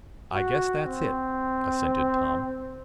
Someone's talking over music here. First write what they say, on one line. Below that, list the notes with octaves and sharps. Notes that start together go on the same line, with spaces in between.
"I guess that's it," assented Tom.
F#4
C4